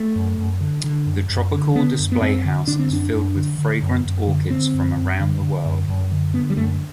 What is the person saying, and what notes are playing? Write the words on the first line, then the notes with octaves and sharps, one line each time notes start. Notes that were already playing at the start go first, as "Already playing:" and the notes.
The Tropical Display House is filled with fragrant orchids from around the world.
Already playing: A3
F#2
F#2
D3
D3
F#2
F#2
D3
D3 B3
F#2
B3
F#2 C4
D3
D3 D4
C4
F#2 D4
F#2
D3
D3
F#2
F#2
D3
D3 C4
F#2
F#2
D3
D3
F#2
F#2
D3
D3 B3
G3
F#2 A3